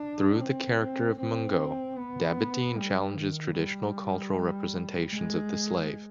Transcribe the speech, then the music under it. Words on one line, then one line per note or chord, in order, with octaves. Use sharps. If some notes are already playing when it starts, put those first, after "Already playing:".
Through the character of Mungo, Dabydeen challenges traditional cultural representations of the slave.
Already playing: D4
C4
C4
C4
B3
G3
D#3
G3
G#3